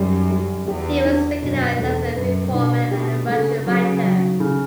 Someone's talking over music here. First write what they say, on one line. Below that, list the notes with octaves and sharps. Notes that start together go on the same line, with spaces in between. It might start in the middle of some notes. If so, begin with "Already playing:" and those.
He was recognized as a reformer and a Russian writer.
Already playing: F#2 G3 C#4
G3
E2 G4
D4
F#2 B2
E2 A3
F#2 B4
B2 D4
B2 G4
C#3 A3
C#3 F#3
F#3
C#3